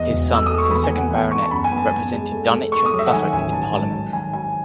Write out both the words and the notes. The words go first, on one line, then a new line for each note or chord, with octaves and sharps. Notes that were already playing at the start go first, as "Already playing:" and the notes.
His son, the second Baronet, represented Dunwich and Suffolk in Parliament.
Already playing: E2 D#5
E1
A3 E6
A3 D#6
C#6
E2 B5
G#5
B3
F#5
E2 F#5
B3 C#6
A5
F#2 B5
G#5
B3
A5
B3
G#3
A3
A3
A3 C#6
D#6
F#3
E5
F#5
D#3 G#5
A1 G#5
A1 A5
G#2 A5
F#3 A5
D#3 G#5
F#3 G#5